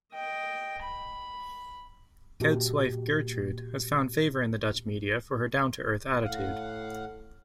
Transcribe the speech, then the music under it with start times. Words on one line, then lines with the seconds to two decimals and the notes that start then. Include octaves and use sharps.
Kuyt's wife Gertrude has found favour in the Dutch media for her down-to-earth attitude.
0.13 D#5 G5
0.83 B5
2.40 A#2 F#4 G4
6.24 A2 F5 F#5